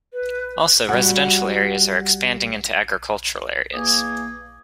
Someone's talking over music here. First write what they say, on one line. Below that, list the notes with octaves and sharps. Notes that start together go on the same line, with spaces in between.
Also, residential areas are expanding into agricultural areas.
B4
G3 F#4 F#5
E2 A#3 G#5 D#6